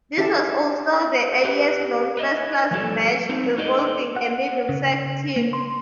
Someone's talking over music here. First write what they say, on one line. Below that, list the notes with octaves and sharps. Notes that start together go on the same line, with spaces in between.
This was also the earliest known first-class match involving a Middlesex team.
C#4 E4 G4 A4 E5 A5
G4 B4
B4 D#5 E5
F3 G3 F#4 A4
C4 D#4
D#4 F#4 A4 B4 D5 D#5
F#5
C#3
A#3
C6